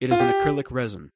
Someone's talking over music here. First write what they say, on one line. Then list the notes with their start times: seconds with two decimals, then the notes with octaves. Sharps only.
It is an acrylic resin.
0.11 F4
0.20 G4